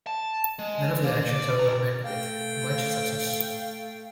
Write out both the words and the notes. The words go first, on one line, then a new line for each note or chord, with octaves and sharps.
None of his actions, however, met with much success.
A5
G#3
A#3
D5
C#3 A#5
A3 F5 G5